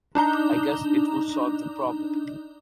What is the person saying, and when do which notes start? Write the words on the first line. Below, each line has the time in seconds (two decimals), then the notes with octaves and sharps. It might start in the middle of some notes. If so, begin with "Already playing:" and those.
I guess it would solve our problem.
0.15 D4 D#4 A#5 G7